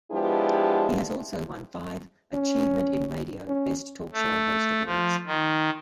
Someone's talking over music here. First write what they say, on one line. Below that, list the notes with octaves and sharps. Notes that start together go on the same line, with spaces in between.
He has also won five "Achievement in Radio" Best Talk Show Host awards.
F3 G#3 B3 D4 E4 G4
C#4
C#4
A3
F3
D#3